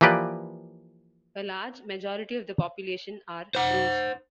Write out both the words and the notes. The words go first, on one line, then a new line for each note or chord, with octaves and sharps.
A large majority of the population are Druze.
E3 F3 A#3 G4 B4 D5
C5 F#5